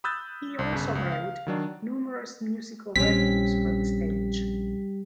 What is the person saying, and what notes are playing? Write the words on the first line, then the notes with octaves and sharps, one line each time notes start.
He also wrote numerous musical revues for the stage.
B5 D#6 E6 F#6 G6 A6
C2
G1 C#3
C#2
F5
D#3 F#3 D4
A#1 G3 C4 C#4 G4 B6